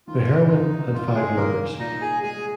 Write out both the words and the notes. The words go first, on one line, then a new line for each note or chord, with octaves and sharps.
The heroine had five lovers.
D#3 F4
C2 D#4
C2 F4
G#3 G#4
D#3 A#3 A#4
A#2 D#4 D#5
G#4 G#5
G#3 G#4 G#5